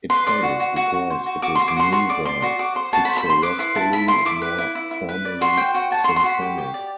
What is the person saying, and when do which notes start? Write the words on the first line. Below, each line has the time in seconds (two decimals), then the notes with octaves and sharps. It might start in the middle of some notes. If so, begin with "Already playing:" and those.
It fails because it is neither picturesquely nor formally symphonic.
0.10 B4 C6
0.27 D5 C6
0.43 F#4
0.60 F#4
0.76 F#4
0.94 F#4
1.10 C5
1.26 F#4
1.42 F#4 D6
1.55 F#4 C6
1.68 D6
1.76 F#4 C6
1.92 F#4 C6
2.09 D5 D6
2.25 D5 C6
2.42 F#4 C6
2.59 F#4 D6
2.75 C5 C6
2.93 F#4 A5
3.05 B5
3.09 C5
3.17 B5
3.26 C5 C6
3.42 B4 D6
3.59 E4 C6
3.75 E4 A5
3.92 E4 B5
4.08 E4 C6
4.25 E4 D6
4.42 B4
4.58 E4
4.75 E4
4.91 E4
5.09 B4
5.25 D5
5.41 F#4 C6
5.57 C5 G5
5.74 F#4 G5
5.91 F#4 A5
6.04 C6
6.08 F#4
6.16 C6
6.24 F#4 B5
6.42 G4
6.58 G4
6.74 D5